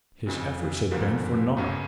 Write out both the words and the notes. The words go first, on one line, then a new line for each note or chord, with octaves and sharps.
His efforts had been for naught.
F1 F2 C#3
F#1 F2 D3 F3 A#3
G1 F#2 C#3